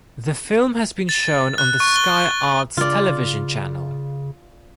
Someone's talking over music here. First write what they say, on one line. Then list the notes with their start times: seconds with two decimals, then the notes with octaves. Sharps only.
The film has been shown on the Sky Arts television channel.
1.09 A6
1.58 F#6
1.80 C#6
1.96 G7
2.77 C#3 F4 D5